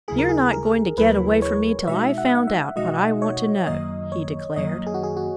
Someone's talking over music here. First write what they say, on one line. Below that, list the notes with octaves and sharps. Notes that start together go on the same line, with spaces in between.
"You're not going to get away from me till I've found out what I want to know," he declared.
D#2 C#3 F#3 A#3 E4 G#4
A#4
G#4
A#4
D#2 C#3 F#3 A#3 E4 B4
C#5
B2 G#3 D#4 F#4 E5
F#5
F#5
E5
B2 G#3 D#4 F#4 D#5
C#5
F#2 D#3 F#3 A#3 D#5
C#5
F#2 D#3 F#3 A#3 D#5
G#4
F#4
G#4
F#4